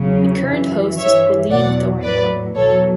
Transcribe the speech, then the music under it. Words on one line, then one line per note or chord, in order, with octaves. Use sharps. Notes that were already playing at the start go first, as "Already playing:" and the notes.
The current host is Pauline Thornhill.
Already playing: E2 C#3 F#3
F#2 E3
G2 E3 C#5 E5
E2 B2 F#3 D5 F#5
A2 F#3 B4 D5
E2 B2 F#3 A4 C#5